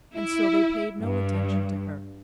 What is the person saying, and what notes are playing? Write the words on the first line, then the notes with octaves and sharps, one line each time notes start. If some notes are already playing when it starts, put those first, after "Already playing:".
And so they paid no attention to her.
E4
G2